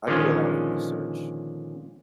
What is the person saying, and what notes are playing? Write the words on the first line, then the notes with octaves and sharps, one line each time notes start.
I do a lot of research,
A#2 D3 D#3 F3 G#3 C#4